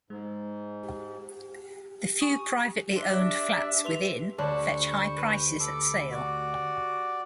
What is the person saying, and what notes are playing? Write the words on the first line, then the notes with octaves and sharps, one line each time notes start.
The few privately owned flats within fetch high prices at sale.
G#2 G#3
G#5 C#6 D#6
D4 E5 C6
B4 C6 F7
D2 D4 C5 B5 C#6
B4
A4 B5 D6
F#4 D5